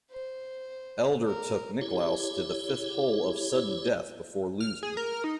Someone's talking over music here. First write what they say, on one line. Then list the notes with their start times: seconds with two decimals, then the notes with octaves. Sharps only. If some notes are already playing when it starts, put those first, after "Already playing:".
Elder took Nicklaus to the fifth hole of sudden death before losing.
0.11 C5
1.26 A#4
1.81 E4 G4 C#5
4.60 F6
4.83 G#4
4.97 A#4
5.24 D#4